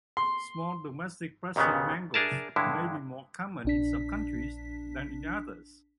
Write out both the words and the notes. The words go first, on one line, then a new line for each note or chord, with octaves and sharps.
Small domestic pressing mangles may be more common in some countries than in others.
C6
D#2 A#2 C#3 F#3 B3
D4 G#4 A#4 E5 A5
G2 D3 G#3 E4
A#1 D4 B6